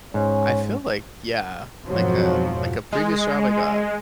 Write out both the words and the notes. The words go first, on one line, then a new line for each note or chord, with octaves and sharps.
I feel like Yeah like a like a previous job, I got
G#2 C#4
F2 G#2 B2 F3 F#3
G#3